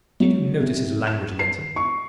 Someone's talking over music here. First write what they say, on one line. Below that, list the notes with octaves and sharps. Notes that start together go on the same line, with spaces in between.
Did you notice his language, Linton?
F#3
C3
E7
C7
C#6